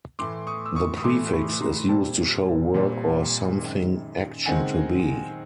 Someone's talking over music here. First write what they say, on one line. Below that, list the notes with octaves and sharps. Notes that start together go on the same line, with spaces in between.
The prefix is used to show work or something action to be.
A2 E3 A3 C6 D6
C#6 D#6
E6
C#6 D#6
D#6
A2 E3 A3 C6 D6
B5 C#6
A#5 C6
A#2 G3 C4 G5 A5
A#2 G3 C4
F#2 D#3 G#3 C4
D#3 G#3 C4 F#5 G#5